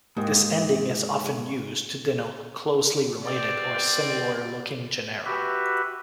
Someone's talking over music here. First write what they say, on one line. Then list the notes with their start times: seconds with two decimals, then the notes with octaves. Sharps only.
This ending is often used to denote closely related or similar looking genera.
0.17 G#2 A#3 G4 D#5
3.23 G3 B3 C4 D5
5.26 F#4 G4 B4 E5